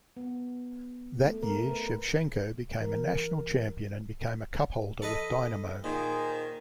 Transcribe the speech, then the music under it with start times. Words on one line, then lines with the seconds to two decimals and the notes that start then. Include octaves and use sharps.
That year Shevchenko became a national champion and became a cup holder with Dynamo.
0.17 B3
1.26 A3
1.43 A#4
1.71 B4
2.80 E3 A#4
5.02 A4 B4 D#5
5.84 A#2 D#3 G#4 C5